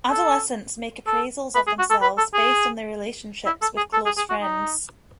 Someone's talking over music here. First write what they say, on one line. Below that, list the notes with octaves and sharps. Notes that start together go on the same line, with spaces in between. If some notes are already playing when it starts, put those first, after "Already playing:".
Adolescents make appraisals of themselves based on their relationships with close friends.
A4
A4
B4
G#4
F#4
A4
B4
A4
G#4
E4
A4
G#4
A4
G#4
G#4
F#4
D#4